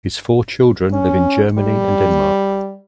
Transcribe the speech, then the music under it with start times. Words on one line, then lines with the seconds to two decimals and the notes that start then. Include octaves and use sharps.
His four children live in Germany and Denmark.
0.93 C#4
1.58 G3